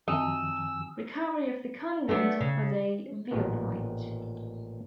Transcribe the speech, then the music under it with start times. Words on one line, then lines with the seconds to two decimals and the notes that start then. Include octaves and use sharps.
Recovery of the convent as a viewpoint.
0.08 F#2 D#3 F3 C4 D#5 G#5 E6
2.09 A3 B3 D4
2.41 C#3
3.31 A1 A#2 D#3 B3